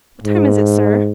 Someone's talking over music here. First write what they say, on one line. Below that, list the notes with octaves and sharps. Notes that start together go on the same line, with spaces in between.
"What time is it, sir?"
G#2